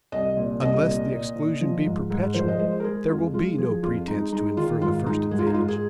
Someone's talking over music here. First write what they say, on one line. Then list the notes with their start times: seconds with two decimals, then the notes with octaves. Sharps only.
Unless the exclusion be perpetual, there will be no pretense to infer the first advantage.
0.12 C2 D#5
0.37 A#2
0.61 C2 D#5
0.86 A#2
1.11 A#2
1.35 A#2
1.61 F3
1.85 G#2
2.10 G#2
2.34 F3 C5
2.48 D#5
2.59 G#3 C5
2.80 A#4
2.84 G#3 G#4
3.08 F2 F4
3.34 G#3 F4
3.58 F3 G#4
3.83 F2 F4
4.08 G#3 D#4
4.33 G#3 D#4
4.57 D#3 F4
4.82 G#2 F4
5.06 G#3 D#4
5.31 G#2 G#4
5.39 F4
5.47 D#4
5.54 G#2 F4
5.68 G#4